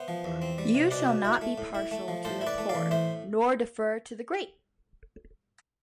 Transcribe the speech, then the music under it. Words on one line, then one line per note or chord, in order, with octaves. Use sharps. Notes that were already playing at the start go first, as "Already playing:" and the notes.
You shall not be partial to the poor; nor defer to the great!
Already playing: B3 C5 E5
F3
E2
C4
G3
C3
B2 B4 D5
B2
E4
A3
A2
E4
A3
F3
A2 A4 C5
E4
B4 D5
A3
D5 F5
E3
A2 C5 E5